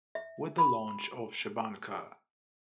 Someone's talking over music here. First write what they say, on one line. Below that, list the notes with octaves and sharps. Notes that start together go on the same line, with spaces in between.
With the launch of Che Banca!
E5
B5